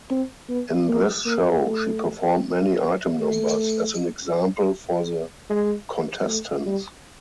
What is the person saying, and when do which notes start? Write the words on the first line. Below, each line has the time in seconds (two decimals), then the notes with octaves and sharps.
In this show, she performed many item numbers as an example for the contestants.
0.10 C4
0.49 B3
0.88 A#3
1.26 A#3
1.65 A3
3.19 A3
5.50 G#3
6.28 A3
6.66 G3